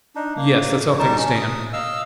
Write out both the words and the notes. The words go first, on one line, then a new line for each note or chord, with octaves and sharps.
"Yes--that's how things stand."
D4 D#4
A#3
G3 D#4 A#4 A5
C#4
D#6
D#5 F5 E6